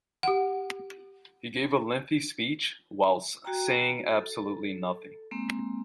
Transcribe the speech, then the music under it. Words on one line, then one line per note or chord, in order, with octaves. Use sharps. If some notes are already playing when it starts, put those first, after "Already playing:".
He gave a lengthy speech, whilst saying absolutely nothing.
G4 F#5
F#4 G5 A#5
A4
G#3 A#3 C4